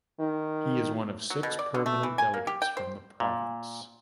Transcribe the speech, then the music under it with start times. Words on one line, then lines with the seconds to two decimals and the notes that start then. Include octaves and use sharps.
He is one of six permanent delegates from the province.
0.20 D#3
1.30 F#3
1.43 B2
1.59 D5
1.74 D3
1.86 A3
2.03 E3
2.18 G#5
2.34 A#3
2.47 G4
2.62 G5
2.77 C5
3.20 A#2